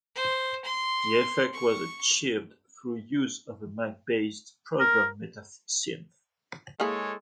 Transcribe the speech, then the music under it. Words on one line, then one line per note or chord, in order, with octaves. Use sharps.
The effect was achieved through use of the Mac-based program MetaSynth.
C5
C6
C#6
A#4
G#3 A#3 E4 G#4 A4 C#5